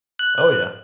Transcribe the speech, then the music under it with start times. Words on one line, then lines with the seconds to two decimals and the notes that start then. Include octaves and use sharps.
Oh, yeah.
0.19 F#6